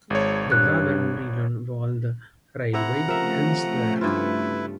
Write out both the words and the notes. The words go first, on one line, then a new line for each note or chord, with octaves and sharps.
The Wabern–Brilon Wald railway ends there.
G#1 G#3 C#5
G2 F#6
C3 E4 F#5 A#5
C#3 F3 A3 A#4 E5
G2 E4 F4 B4